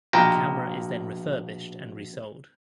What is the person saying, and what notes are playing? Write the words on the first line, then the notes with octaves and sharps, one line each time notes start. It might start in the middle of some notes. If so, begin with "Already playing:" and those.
The camera is then refurbished and resold.
A#1 B2 F4 B4 G5 A#5